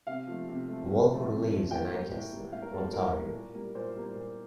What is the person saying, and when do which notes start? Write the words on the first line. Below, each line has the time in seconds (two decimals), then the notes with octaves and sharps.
Walker lives in Ancaster, Ontario.
0.07 C3 F5
0.27 F3 A3
0.48 C3
0.68 F3 A3
0.88 C3
1.09 F3 A3
1.30 C3
1.50 F3 A3
1.71 A2 G5
1.91 G3 A#3
2.12 A2
2.32 G3 A#3
2.52 A2 F5
2.62 A#4
2.73 G3 A#3 A4
2.93 A2 A#4
3.14 G3 A#3
3.34 A#2
3.54 G3 A#3
3.75 A#2 C5
3.96 G3 A#3
4.16 A#2